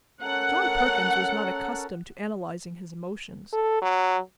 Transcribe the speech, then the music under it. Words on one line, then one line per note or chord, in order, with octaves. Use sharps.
John Perkins was not accustomed to analyzing his emotions.
C#4 A4 A#4 F#5
A4
F#3